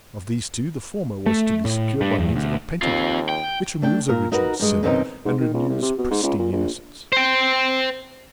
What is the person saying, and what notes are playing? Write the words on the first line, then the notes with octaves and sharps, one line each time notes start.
Of these two the former was to be secured by means of a Pentagon, which removes original sin and renews pristine innocence.
A3
A2
G2
E2
D2
D#2 C4 F4
G5
A3 D4 G5
A#2 A#4
D#4 F#4 A#4 B4
G2 G#3
F#2 B2 D#3 C4 D4 D#4
G#2
D#3
C#2
C2
C3
B2
G#2
C#2
A#2
A#1
C5 G5